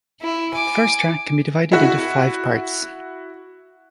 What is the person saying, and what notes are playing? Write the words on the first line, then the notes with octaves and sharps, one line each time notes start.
The first track can be divided into five parts.
E4
G#5 D6
E4 F#4